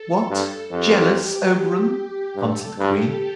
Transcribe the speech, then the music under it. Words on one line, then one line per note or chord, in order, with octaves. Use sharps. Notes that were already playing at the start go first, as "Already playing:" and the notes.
"What! jealous, Oberon?" answered the Queen.
Already playing: A4
G2
F2 G4
G2 A4
G2 G4